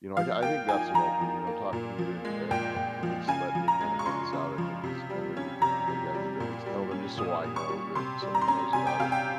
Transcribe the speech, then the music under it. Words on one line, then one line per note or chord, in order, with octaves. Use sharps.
you know I I think that's what I'll do, you know. Talking to you, and at at least letting me kind of vent this out, I think, has kind of made me think that maybe I need to at least tell them, just so I know that somebody knows about it
F3 F5
A#3 G5
D#4 G#5
F3 A#5
F3
A#3
A#2
F3
G#3
A#2 G5
A#2
F3
C#3 G#5
F3
A#5
G#3
C#6
C#3 C6
C#3
F3
C3
G3
C#4
C3 A#5
C3
G3
A#2
G3
C#4
A#2 D#6
A#2
C#6
G3
C3 C6
G3
A#5
C6
C#4 A#5
C3 G#5
G5
C3 F5
G5